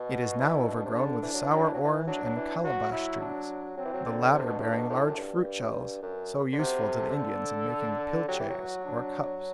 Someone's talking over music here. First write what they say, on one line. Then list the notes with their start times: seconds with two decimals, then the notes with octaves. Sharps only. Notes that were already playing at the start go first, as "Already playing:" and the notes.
It is now overgrown with sour orange and calabash trees, the latter bearing large fruit shells so useful to the Indians in making pilches or cups.
Already playing: B2
0.11 F#4
0.38 E4
0.67 D4
0.76 B2
0.85 C3
0.95 D3
1.23 E3
1.34 F#3
1.43 E3
1.54 F#3
1.64 E3
1.74 F#3
1.84 E3
2.07 F#3 D4
2.25 F#3
2.36 E3
2.64 F#3 F#4
2.92 E4
3.21 D4
3.77 F#3 C4
3.85 E3
3.94 F#3
4.05 D3
4.33 C3 D4
4.46 B2
4.59 A2
4.72 B2
4.90 A2
5.07 F#2
5.18 G2
6.03 F#2
6.53 D3
6.59 C3 F#4
6.87 A4
7.10 C3
7.15 D3
8.28 F#3 G4
8.40 E3
8.50 F#3
8.57 F#4
8.85 D4